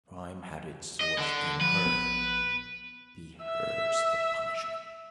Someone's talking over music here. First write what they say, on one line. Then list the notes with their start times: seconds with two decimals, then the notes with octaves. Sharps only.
The crime had its source in her; be hers the punishment!
1.01 D#5
1.18 D3
1.61 F3 B4
1.85 A#1 B3
3.44 E5 E6